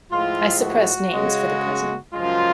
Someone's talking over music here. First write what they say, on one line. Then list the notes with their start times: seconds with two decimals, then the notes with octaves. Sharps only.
I suppress names for the present.
0.12 A2 F3 G#3 F4
0.63 F#4
1.13 C#3 G#3
2.14 F#2 C#3 F3 G#3 F4